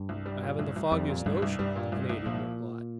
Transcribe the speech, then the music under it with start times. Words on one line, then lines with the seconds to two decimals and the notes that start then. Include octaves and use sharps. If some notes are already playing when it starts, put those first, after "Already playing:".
"I haven't the foggiest notion," the Canadian replied.
Already playing: G2
0.09 C2
0.26 G3
0.43 A#2
0.59 C2
0.76 C2
0.92 F2 G3
1.09 A#2
1.26 C2 G2
1.42 C2
1.59 G2 G3
1.76 A#2
1.92 C2
2.09 C2
2.25 A#2 F3